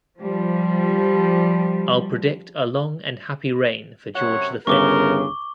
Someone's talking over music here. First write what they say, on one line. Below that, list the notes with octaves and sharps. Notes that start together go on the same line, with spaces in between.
I'll predict a long and happy reign for George the Fifth.
F3 G3
F#2 C3 C#5 F#5
G1 C#3 A#4 C#6 D6 G7